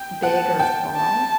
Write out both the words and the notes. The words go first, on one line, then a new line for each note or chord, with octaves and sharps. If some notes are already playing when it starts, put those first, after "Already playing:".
big or small?
Already playing: G5
F#5 A5
G5
A5